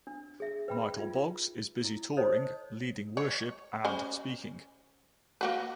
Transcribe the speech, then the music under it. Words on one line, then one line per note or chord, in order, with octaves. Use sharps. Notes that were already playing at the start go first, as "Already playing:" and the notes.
Michael Boggs is busy touring, leading worship, and speaking.
D4
G#4 E5
B4 G5 B5
D#4 F4
E4
A4 C5 C#5 D#5 A5
C#5
C#4 C5 B5
A#3 F#4 B4